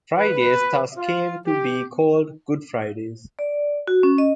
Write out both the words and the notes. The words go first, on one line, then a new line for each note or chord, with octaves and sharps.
Fridays thus came to be called Good Fridays.
B4
F4
G4
D5
F#4
C#4
D#5